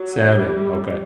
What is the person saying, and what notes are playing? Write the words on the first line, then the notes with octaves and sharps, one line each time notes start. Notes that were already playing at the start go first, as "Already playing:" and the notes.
Salmon, okay.
Already playing: F#3
G3